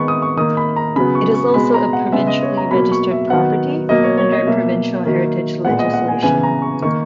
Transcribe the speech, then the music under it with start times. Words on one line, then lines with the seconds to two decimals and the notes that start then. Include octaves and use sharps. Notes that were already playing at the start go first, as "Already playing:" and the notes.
It is also a Provincially Registered Property under provincial heritage legislation.
Already playing: D#3 G#3 B3 B5 C#6
0.08 D#6
0.22 C#6
0.37 D#3 A#3 D#6
0.57 B5
0.76 A#5
0.96 C#3 F#3 B3 B5
1.15 C#6
1.34 C#6
1.54 B2 G#3 B3 B5
1.74 A#5
1.93 F#5
2.12 C#3 G#3 B3 E5
2.27 D#5
2.42 C#5
2.57 A#5
2.71 B2 F#3 A#3 B5
2.92 C#6
3.11 E5
3.30 D#3 F#3 B3 F#5
3.89 B2 F#3 A#3 D#5
4.04 C#5
4.18 C#5
4.32 D#5
4.47 B2 F#3 A#3 E5
5.05 D#3 F#3 A#3
5.65 A#2 G#3 B3 F#5
5.79 D#5
5.94 F#5
6.08 G#5
6.23 C#3 E3 B3 G#5
6.43 A#5
6.62 C#6
6.82 D#3 A#3 C#6